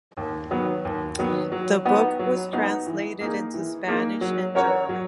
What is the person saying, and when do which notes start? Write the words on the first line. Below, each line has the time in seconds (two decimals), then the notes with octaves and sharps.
The book was translated into Spanish and German.
0.17 D#2
0.51 D#3 F#3 B3
0.85 D#2
1.19 D#3 F#3 B3
1.52 F#3
1.85 B3 D#4 F#4
2.19 F#3
2.53 B3 D#4 F#4
2.87 E3
3.21 A#3 D#4 G#4
3.54 E3
3.87 A#3 D#4 G#4
4.21 F#3
4.55 C#4 F#4 A#4 C#5
4.89 F#3